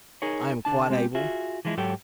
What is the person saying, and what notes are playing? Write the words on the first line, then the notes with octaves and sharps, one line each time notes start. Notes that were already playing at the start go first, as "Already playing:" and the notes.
"I am quite able."
D#4 G#4 A#4 C#5
D3 D4 A5
G#3 C4 G4
F4 F#4 G#4 E5
E3 F3 G#3 E4
G#2 F#3 G4 A4 C#5 G5